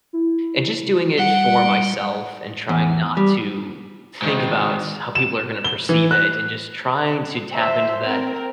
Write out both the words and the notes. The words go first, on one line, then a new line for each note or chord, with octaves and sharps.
and just doing it for myself and trying not to think about how people are gonna perceive it and just trying to tap into that
E4
G3 F#5 C#7
E2
G3
G#2 D#3
E7
G7
E3
F#6
C5 E5
C4 A#4